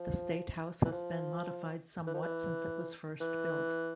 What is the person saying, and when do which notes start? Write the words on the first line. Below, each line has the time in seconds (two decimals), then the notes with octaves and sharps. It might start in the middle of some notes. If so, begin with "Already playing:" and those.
The State House has been modified somewhat since it was first built.
Already playing: F3
0.85 E3
0.92 F3
2.07 E3
2.14 F3
2.22 E3
3.21 E3